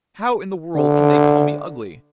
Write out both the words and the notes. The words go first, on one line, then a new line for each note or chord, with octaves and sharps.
How in the world can they call me ugly?
D3